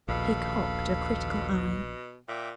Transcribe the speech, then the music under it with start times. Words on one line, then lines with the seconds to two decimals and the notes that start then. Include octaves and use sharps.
He cocked a critical eye.
0.08 A#1 D#2 B2 A4 F5 B5
2.28 A#2 E5 G5 D6